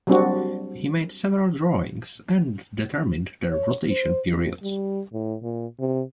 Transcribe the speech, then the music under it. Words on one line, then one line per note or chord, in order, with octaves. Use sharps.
He made several drawings and determined their rotation periods.
F#3 G3 A#3 C4 D4 F#4
C#5
C5
F2
G3
A2
A#2
C3